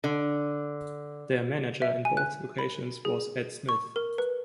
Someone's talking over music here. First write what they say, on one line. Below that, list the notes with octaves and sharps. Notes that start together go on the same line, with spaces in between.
Their manager in both locations was Ed Smith.
D3
E5
G#5
F#6
B5
G#4
C#6
A#4
B4